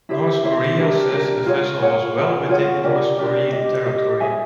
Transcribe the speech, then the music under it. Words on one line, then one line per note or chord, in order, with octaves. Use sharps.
North Korea says the vessel was well within North Korean territory.
E4 G4 C5 E5
E4 G4 C5 E5
D4 G4 A#4
D4 G4 A#4
F4 G#4 C#5 F#5
F4 G#4 C#5 F#5
F4 G#4 C#5 F#5
F4 G#4 C#5 F#5
D4 G4 A#4 D5
D4 G4 A#4 D5
G4 C5 D#5
G4 C5 D#5
G#4 C#5 E5 G#5